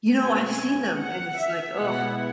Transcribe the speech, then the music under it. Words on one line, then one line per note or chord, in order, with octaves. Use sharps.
You know, I've seen them and it's, like, oh.
B2 F#3 A3 C#4 G#5
F#5
E5
B2 G#3 B3 E4 F#5